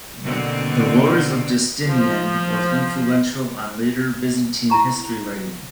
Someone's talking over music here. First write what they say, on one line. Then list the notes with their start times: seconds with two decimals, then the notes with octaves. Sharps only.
The "Wars of Justinian" was influential on later Byzantine history-writing.
0.23 B2 D3 A#3 C4
1.87 F3
4.70 E4 A5 A#5 C#6